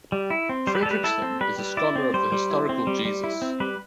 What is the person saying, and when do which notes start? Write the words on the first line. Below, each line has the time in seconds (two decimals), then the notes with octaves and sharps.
Fredriksen is a scholar of the historical Jesus.
0.12 G3
0.30 E4
0.49 C4
0.67 G3 C5
0.75 B4
0.83 A4
0.86 G3
0.91 B4
1.04 E4 A4
1.22 C4
1.41 G3 B4
1.59 G3
1.77 E4 D5
1.96 C4
2.14 G3 C5
2.32 G3
2.51 E4
2.69 C4
2.87 G3
3.05 G3
3.24 E4
3.42 C4
3.60 G3 B4